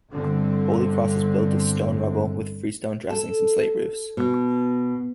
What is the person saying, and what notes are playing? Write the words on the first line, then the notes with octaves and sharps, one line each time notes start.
Holy Cross is built of stone rubble with freestone dressings and slate roofs.
G1 D3 C4
A4
B2